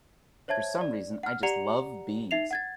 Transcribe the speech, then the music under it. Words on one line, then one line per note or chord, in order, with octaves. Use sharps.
For some reason I just love bees.
C5 C#5 E5 A5 G#6
D5
F#5 F6
G4 D5 F#5 A#5 C#7 F7
D#4 E5 C7 F7
F#5 G#6 A6